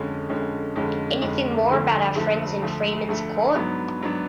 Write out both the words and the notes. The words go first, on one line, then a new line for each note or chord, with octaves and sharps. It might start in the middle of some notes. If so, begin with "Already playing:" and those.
Anything more about our friends in Freeman’s Court?
Already playing: F2 D3 G#3 C#4
F2 D3 G#3 C#4
F2 D3 G#3 C#4
F2 D3 G#3 C#4
D2 D3 F3 A3
D2 D3 F3 A3
D2 D3 F3 A3
D2 D3 F3 A3
G#2 F#3 B3 D4
G#2 F#3 B3 D4